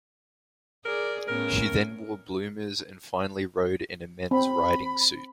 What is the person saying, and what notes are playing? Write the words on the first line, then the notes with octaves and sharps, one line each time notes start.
She then wore bloomers and finally rode in a men's riding suit.
G#4 A#4 D5
A2 B3 C#4 A#4
C4 B5